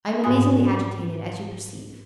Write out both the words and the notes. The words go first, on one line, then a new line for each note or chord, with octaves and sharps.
I am amazingly agitated, as you perceive.
G#2 F#4 G#5 D#6